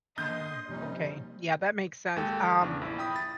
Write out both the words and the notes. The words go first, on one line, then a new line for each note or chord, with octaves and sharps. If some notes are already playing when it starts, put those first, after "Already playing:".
Oh, okay. Yeah, that makes sense. Um,
A#3 D4 D#5 C6 D#6 G6
F#2 C3 F3 G3 A#3 C#4 D#4
D#2 G#3 A4 G5
F6
E2 C#3 D4
A#1 E4
G5 B5 D#6
A6